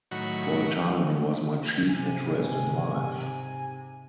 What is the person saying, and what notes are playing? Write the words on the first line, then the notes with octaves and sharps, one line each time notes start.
For a time, he was my chief interest in life.
A2 D#3 F#3 F#4 B5 C#6
G#2 C3 G#5